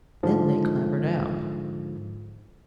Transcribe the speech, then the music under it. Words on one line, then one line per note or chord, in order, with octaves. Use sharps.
Then they clambered out.
G#2 D3 F3